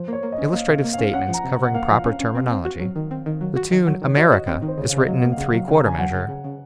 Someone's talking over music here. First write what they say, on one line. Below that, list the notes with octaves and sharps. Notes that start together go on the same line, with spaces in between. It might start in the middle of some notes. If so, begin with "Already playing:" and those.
Illustrative statements covering proper terminology: the tune "America" is written in three-quarter measure.
Already playing: F3 C5
A#3 C#5
A#3
D#5
C#4
A#3 F5
C3
A#3
F5
C#4
C#4 F#5
F3
A#5
C3
C3 F#5
A#3 F5
F3
C#4
C#4
C4
C4
F#4
F#3
D#3
C4
D#3
F#3
F#4
D#3
F#3
D#3 C#5
F#4 D#5
F#4
C4
D#3
C5
C#3 C#5
F5
C#3
D#5
F#3
F#5
A#3
F5
C#3 F#5
F#3
C#3
A#5
C#3 G#5
F#3 F#5
C#3
C#3
C#3